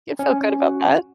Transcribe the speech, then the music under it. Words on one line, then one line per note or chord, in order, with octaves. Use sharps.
You feel good about that?
C#4
C#4
F#4